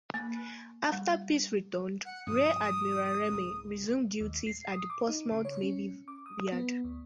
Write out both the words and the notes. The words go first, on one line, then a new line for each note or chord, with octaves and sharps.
After peace returned, Rear Admiral Remey resumed duties at the Portsmouth Navy Yard.
A#3
G3
F#5
G2 B2 F3 D#6
C2 G#2 C#3
D#2
C7
D#6
D6
D#4
C#3
C#5
C#4
D6
D#6
B3
D2